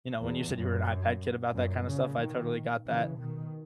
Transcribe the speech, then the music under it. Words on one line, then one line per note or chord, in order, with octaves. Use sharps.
you know, when you said you were an iPad kid about that kind of stuff, I totally got that,
E2
F#2
F#2 A#2
A#2 C#3
B2 D#3
C#3 E3
B2 D#3